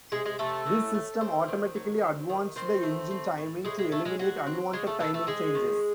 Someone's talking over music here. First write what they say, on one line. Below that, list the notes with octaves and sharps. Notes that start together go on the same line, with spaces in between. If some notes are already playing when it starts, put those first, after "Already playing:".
This system automatically advanced the engine timing to eliminate unwanted timing changes.
C3 G#3 G#4
G#3 G#4
C3 A3 A4
E3
A3
C4
D#3
F#3
C4
D#3
D#3 C4 C5
A3
C4
A2
A2 G#3 G#4
G#3 G#4
F#3 A3 A4
G#3 G#4
F#3 G#3 F#4
C4
C#3 G#3 G#4
A3 A4
E3 A3 A4
A3 A4
G#3 C4 G#4
D#3